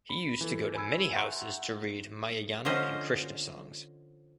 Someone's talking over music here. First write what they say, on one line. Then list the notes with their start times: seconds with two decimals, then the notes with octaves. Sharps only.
He used to go to many houses to read Ramayana and Krishna songs.
0.09 B5
0.41 E3 A4
0.75 G#5 B5 E6 G#6
1.12 E5 F#5 G5 A#5 C6 C#6
2.65 D3 F3 C#4 C5 D#5